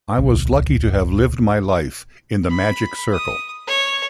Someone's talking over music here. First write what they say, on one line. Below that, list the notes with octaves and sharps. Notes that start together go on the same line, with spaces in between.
I was lucky to have lived my life in The Magic Circle.
D1 B1
B5
D#6
C#5